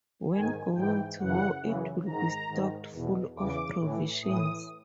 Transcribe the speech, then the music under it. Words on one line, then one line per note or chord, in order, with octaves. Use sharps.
When going to war it will be stocked full of provisions.
G#2 D#3 G#5
G#2 E3 G5
F#2 C#3 E3 F#5
F#2 C#3 E3
G#2 D#3 A#5
G#2 D#3
E2 B2
E2 C#3 E3 D6
A2 E3
A2 E3 D#6